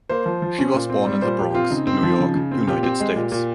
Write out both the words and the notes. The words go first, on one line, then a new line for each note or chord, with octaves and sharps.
She was born in the Bronx, New York, United States.
A#3 C5
F3
F3
C#4
A#2
C4
G3
A#2 C5
A#2 G4
G4
C4 F4
C#3 D#4
C4
F3
C#3
C#3
C4
A#2 G4
C4
G#3
A#2
A#2